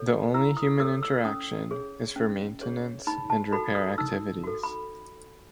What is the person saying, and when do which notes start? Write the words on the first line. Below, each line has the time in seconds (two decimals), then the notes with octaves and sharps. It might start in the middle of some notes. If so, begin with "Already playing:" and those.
The only human interaction is for maintenance and repair activities.
Already playing: A4 C#5
0.34 E4 E6
0.57 D#6
0.80 A4 C#5 E6
1.03 E6
1.25 C#4 D#6
1.71 G#4 C#5
2.16 C#4
2.61 G#4 C#5
3.07 D#4 B5
3.30 A5
3.52 F#4 A4 B5
3.75 D#6
3.98 D#4 E6
4.44 F#4 A4
4.63 B5